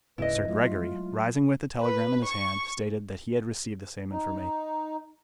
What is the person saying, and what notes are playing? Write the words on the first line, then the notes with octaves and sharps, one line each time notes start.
Sir Gregory, rising with the telegram in his hand, stated that he had received the same information.
D#1 G#2 C#3 E4 B4 D#5
F#3 G#3 A3 F4
B4
C#6
D#4